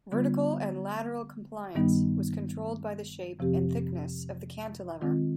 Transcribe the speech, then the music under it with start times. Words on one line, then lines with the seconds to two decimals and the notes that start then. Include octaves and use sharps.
Vertical and lateral compliance was controlled by the shape and thickness of the cantilever.
0.12 D3 G3 B3 F4
1.75 G2 D#3 G3 B3 D#4
3.39 F2 C3 F3 C4 G4
5.01 D#3 G#3 C4 F4